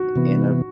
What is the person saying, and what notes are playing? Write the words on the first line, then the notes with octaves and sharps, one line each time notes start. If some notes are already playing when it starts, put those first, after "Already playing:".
in a
Already playing: F#4
C3 E3 B3